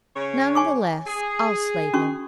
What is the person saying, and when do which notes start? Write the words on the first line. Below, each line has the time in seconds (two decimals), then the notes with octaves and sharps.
None the less I'll slate him.
0.16 C#3 C#5
0.55 G#5 C#6 D6
1.06 G#4
1.94 C#4 F#4 C#6